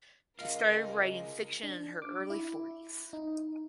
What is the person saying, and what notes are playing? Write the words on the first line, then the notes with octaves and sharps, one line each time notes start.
She started writing fiction in her early forties.
C#3 G#3 F4 A#4 D#5 F5
D4
D6
E4
D#4